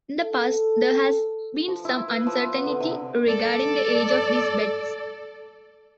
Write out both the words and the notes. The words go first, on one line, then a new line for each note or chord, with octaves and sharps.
In the past, there has been some uncertainty regarding the age of these beds.
A4
F3
E4
B4
F3
B3
D3
C3
A4 D5